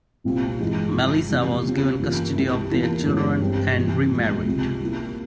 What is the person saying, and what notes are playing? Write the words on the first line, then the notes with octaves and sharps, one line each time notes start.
Melissa was given custody of their children and remarried.
C2 A#2 G3 C4 F4
G2 E3 G#3 E4
C3 F3 C4 E4
E2 C3 E3 G3
C#3 G3 C4 F4
G2 E3 A#3 F4
C2 C3 G3
E2 E3 A#3 F4
G2 E3 G#3 C#4
G2 G3 C4
E2 C3 E3
A#2 F3 G#3
C#2 C3 G3
C3 G3 A#3 E4